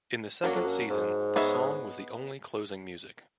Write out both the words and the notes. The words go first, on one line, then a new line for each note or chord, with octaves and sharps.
In the second season the song was the only closing music.
F#2 F#3 A#3 D4 F#4
F2
F#2
G#2
B3 D#4 G#4 C#5 E5